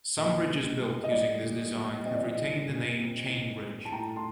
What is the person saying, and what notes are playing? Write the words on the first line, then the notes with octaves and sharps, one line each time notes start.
Some bridges built using this design have retained the name "Chain Bridge".
A#2 D#5
G3
G3
D#5
G3 D5
A#2
G3
C4 D#5
D5
D#5
G3
A#2
C4
C4
G3
A5
A2 G5 A#5
A5 C6